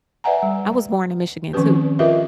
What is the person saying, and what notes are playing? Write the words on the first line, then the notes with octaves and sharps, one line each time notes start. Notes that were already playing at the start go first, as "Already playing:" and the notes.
I was born in Michigan too.
B4 D5 E5 F#5 G#5 A#5
G3
D#3 F3 C4 C#4 G4 B4
F4 G4 A#4 B4 D#5 E5